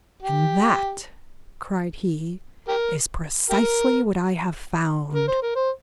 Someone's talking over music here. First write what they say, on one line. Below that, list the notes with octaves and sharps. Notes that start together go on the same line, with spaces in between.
"And that," cried he, "is precisely what I have found!"
G4
G4 A#4
G4 A#4
A#4
C5
A#4
C5